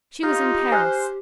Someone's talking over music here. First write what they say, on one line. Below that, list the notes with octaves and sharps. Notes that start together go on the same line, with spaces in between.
She was in Paris.
D#4 F4 G4
C5 G#5 F6 F#6